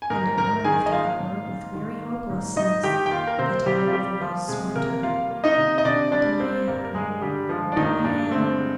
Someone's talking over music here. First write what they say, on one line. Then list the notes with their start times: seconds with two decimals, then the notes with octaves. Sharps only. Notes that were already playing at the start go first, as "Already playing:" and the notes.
And hour after hour with weary hopelessness the tired voice went on--"Diane, Diane...."
0.02 G#5
0.10 G#2 A#4 A#5
0.37 G#2 A#4 A#5
0.60 A#5
0.64 D#3 G#4 G#5
0.86 D#5
0.92 A#3 F4 F5
1.20 G#2
1.48 G#2
1.75 D#3
2.02 A#3
2.30 G#2
2.56 G#2 D#4 D#5
2.84 D#3 G4 G5
3.06 G5
3.11 A#3 F4 F5
3.27 A#4
3.38 C3 C4 C5
3.66 C3 G3 G4
3.87 F4
3.93 G3 G4
4.21 F3 A#3 F4
4.48 C3 G#3 G#4
4.76 C3 A#3 A#4
5.02 G3 F4 F5
5.31 A#3
5.44 D#4 D#5
5.58 C3
5.78 D#5
5.85 C3 D4 D5
6.12 G3 D4 D5
6.39 A#3 C4 C5
6.67 G2 A#3 A#4
6.85 A#4
6.94 G2 G#3 G#4
7.21 D3 G3 G4
7.49 F3 G#3 F4
7.72 D4
7.76 G2 D#3 D#4
8.04 G2 D4
8.31 D3 C4
8.59 G#3